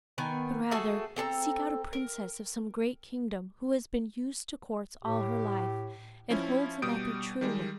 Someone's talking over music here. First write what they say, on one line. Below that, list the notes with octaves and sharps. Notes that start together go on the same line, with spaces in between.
But rather seek out a princess of some great kingdom, who has been used to courts all her life, and holds them at their true worth.
D#3 B3 G#5
A3 F#4 G#4 A4
C4 A4 A5 A#5
A#4
A2 G4
F3 C#4 E4
B2 G3 D#6 G6 D7
D#3 G3 G#3